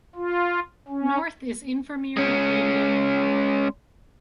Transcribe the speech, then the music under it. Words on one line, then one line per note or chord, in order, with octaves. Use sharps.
North is Invermere, Radium, and Golden.
F4
C#4
G#3 C#4